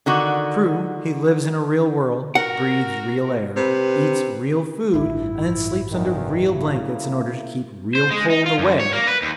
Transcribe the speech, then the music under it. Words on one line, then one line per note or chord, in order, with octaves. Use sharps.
True, he lives in a real world, breathes real air, eats real food, and sleeps under real blankets, in order to keep real cold away.
D3 D#3 F#4
F#4 A#4 F#5
C3 B4
A1 G2 E4
E2 D#3
C#3 A#3 E4
C5
G#3
D#4
F4
F#2
C#5
A#3
B4
D#2